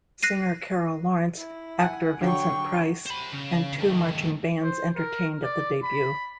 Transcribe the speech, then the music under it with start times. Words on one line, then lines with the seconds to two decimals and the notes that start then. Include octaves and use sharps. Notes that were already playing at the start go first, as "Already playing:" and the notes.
Singer Carol Lawrence, actor Vincent Price, and two marching bands entertained at the debut.
0.23 F#6 A#6 C7 D#7
1.37 E4
1.80 F#5 G#5
2.21 D3 F#3 G5 C#6
3.06 C5 B5
3.33 C#3
3.79 D#3 A3
4.63 C5
4.96 A#4
5.43 D5
5.83 B5